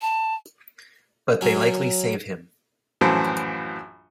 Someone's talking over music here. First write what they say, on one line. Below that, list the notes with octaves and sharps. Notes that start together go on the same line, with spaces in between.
But they likely save him.
A5
F#3 C#4
A#1 F#2 A2 E3 F#3 C5